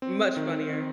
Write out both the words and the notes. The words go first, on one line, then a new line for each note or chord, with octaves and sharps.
Much funnier.
C4
D#3
C4